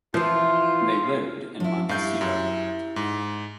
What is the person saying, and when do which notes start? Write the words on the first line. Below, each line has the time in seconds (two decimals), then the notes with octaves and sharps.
They lived in Montecito.
0.14 E3 F3 F4
1.60 F3 E4
1.89 G2 E4 G4 F5 G6
2.21 F#2
2.96 G#2